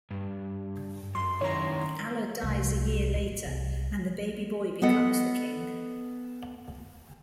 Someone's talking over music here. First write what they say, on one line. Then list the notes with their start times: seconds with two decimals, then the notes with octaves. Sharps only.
Alla dies a year later, and the baby boy becomes the King.
0.11 G2
1.15 F#2 C6
1.41 D#3 C#4 E4 C#5 A#5
2.43 C2 A3
3.15 A#2
3.46 C2
4.82 B3 A4 D#5 F#5